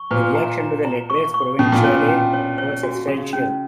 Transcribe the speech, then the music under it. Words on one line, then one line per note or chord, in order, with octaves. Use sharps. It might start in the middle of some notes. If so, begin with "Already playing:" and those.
The reaction to the "Lettres provinciales" was substantial.
Already playing: C#6
A#2 B4
A#5
A#5
A#5
C#6
C#6
B2 C#4
A#2
B2 C#5
C#4
C#5
C#5
F#4
C#3 F#4
C#4